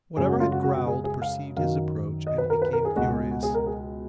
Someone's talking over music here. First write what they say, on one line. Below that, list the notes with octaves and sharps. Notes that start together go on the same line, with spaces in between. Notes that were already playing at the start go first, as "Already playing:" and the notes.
Whatever had growled perceived his approach, and became furious.
F#2 C#3 G#3 G#4
F#4
F4
F#4
F#4
F#4
G#4
G#4
F5
F#2 D#3 F#3 F5
D#5
B4
A#4
B4
A#4
G#4
C#2 B2 G#3 F#4
F#4
G#4
A#4
G#4